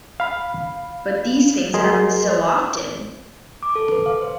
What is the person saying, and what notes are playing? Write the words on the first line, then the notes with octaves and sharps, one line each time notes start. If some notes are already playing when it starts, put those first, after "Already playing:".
But these things happen so often!
F5 B5
F#3 G#4 A#4 D#5 C6
D6
A4
B4
F5
C5